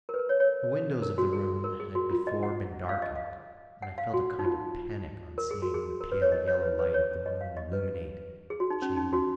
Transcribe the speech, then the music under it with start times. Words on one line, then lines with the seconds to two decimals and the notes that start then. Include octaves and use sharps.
The windows of the room had before been darkened, and I felt a kind of panic on seeing the pale yellow light of the moon illuminate the chamber.
0.09 A#4
0.14 B4
0.19 A#4
0.29 C#5
0.40 C#5
1.02 A#4
1.18 F#4
1.33 G#4
1.64 A#4
1.80 G#4
1.95 F#4
2.11 F4
2.27 D#5
2.43 F#5
2.89 F5
3.02 D#5
3.16 F5
3.82 F#5
3.98 F5
4.14 F#4
4.39 D#4
4.44 F4
5.38 A#4
5.51 G#4
5.62 F#4
5.74 G#4
6.01 A#4
6.12 B4
6.22 C#5
6.32 D#5
6.47 C#5
6.63 B4
6.79 B4
6.94 C#5
7.26 D#5
7.41 F5
7.57 D#5
7.73 B4
8.50 G#4
8.60 F#4
8.70 D#4
8.82 C#4
8.97 D#4
9.13 F#4